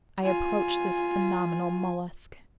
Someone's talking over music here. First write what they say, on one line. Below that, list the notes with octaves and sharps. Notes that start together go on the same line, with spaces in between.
I approached this phenomenal mollusk.
F4 G#5